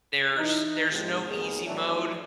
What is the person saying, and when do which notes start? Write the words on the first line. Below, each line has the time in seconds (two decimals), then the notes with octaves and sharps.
There's there's no easy mode.
0.36 E3 D#4
0.90 B1 G#2 C3 F3 G4
1.28 G#1 D#2 D#3 F#3 B3 G#4
1.65 A2 E3 F#3 A3 B3 D4